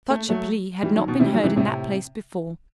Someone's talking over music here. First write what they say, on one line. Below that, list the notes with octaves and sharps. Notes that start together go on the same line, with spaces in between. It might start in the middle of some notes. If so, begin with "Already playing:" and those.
Such a plea had not been heard in that place before.
A3
F#3 A3
E3 G3
D#3 F#3
B2 D#3
C3 E3
G3
D#3 F#3
C3 E3
A2 C3